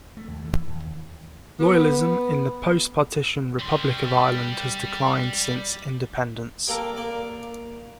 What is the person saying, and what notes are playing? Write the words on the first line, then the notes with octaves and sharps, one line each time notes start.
Loyalism in the post-partition Republic of Ireland has declined since independence.
A3
D#2
E3
D#2
B3
G3 C6
G3 A#3 A4 A#4
A#3 D5